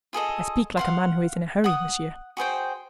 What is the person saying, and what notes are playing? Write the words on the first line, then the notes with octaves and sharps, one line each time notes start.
"I speak like a man who is in a hurry, monsieur."
F4 G#4 A4 D#5
F5 F#5 C6
F#5 D#6
F#4 G#4 C5 G5